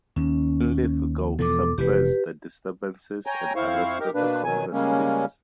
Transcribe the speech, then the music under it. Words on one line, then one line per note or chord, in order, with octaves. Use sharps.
Linlithgow suppressed the disturbances and arrested the Congress leaders.
D#2 C#4
E2 B2 F3 A4 D6
F1 E3 G4 B4
C#5 G5 G#5 A#5 G6
F2 C4 E4 C5 F5 C#6
D#4 G4 A#4
B2 A#3 D4 B4
B2 D#3 F#3 G#5
C#3 G3 G#3 A#3 C#4